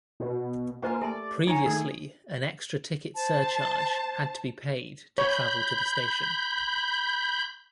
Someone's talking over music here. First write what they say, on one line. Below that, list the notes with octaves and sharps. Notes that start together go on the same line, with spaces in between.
Previously an extra ticket surcharge had to be paid to travel to the station.
B2
A#3 F4 C5 G#5
A3 G4 D5 A5 C6
D#4 C#5 G#5 A#5 D#7
D#3 A3 G#4
C5 A5
C#5 B5 G6